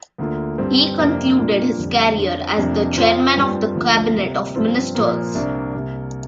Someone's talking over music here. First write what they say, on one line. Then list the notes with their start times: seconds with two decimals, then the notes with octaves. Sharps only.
He concluded his career as the Chairman of the Cabinet of Ministers.
0.18 D2 D3 A#3 F4
0.58 G2 G3 C4
0.98 F2 C3 A#3 D4
1.38 A#2 A#3 D4 F4
1.77 F2 D3 G3
2.18 F2 F3 D4 F4
2.57 F2 C3 A#3 D4
2.96 F2 F3 C4 F4
3.37 G2 G3 C4 F4
3.75 D2 D3 F3 A#3 F4
4.15 C3 G3 A#3
4.56 G2 F3 C4 F4
4.95 A#2 F3 A#3
5.35 C2 C3 A#3 D4
5.74 C2 C3 A#3